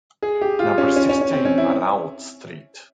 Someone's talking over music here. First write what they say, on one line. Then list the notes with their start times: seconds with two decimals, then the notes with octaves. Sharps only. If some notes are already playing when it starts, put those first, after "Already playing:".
Number sixteen, Marrault street.
0.22 G#4
0.41 G4
0.59 F4
0.78 C#4
0.96 C#4
1.09 C#4
1.21 C#4
1.33 C4
1.45 C#4
1.58 E4